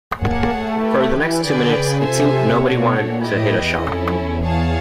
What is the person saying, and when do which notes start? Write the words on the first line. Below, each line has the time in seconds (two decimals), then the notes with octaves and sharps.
For the next two minutes, it seemed nobody wanted to hit a shot.
0.19 A#3 G#4 C#5 F#5 A5
0.49 A3
0.80 E4 G4 B4
1.10 E3
1.41 D3 G#4 B4 D5 G5
1.71 C#3
2.01 C3 F4 A4 C5 E5 G#5
2.62 B2 A3 D4 F#4 A4 C#5
2.93 A#2
3.23 A2 E4 G4 B4 D#5
3.53 E2
3.83 F2 C#4 E4 A4
4.14 E2
4.45 G#4 C#5 F5 A5